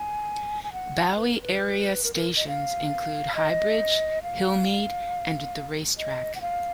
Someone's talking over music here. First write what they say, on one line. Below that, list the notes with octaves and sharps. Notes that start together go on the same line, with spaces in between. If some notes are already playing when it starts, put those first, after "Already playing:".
Bowie area stations included High Bridge, Hillmeade, and the Race Track.
Already playing: G#5
G#5
F#5
B4
A#4
B4
A#4
A#4
D#5
F5
D#5
F5
D#5
F#5
F5